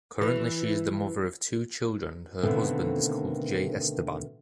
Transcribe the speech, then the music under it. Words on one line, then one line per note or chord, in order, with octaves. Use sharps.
Currently she is the mother of two children and her husband is called Jay Esteban.
E3
B2 D3 D#3 A3 A#3 C4